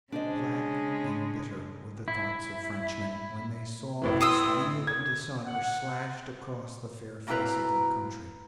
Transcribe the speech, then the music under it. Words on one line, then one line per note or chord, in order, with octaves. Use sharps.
Black and bitter were the thoughts of Frenchmen when they saw this weal of dishonour slashed across the fair face of their country.
C#3 G#3 D4 C5 D#5
E4
A1 A2 E3
C6 D#6 E6
G#6
F#5
B2 A#3 C4 E4 B4 A#5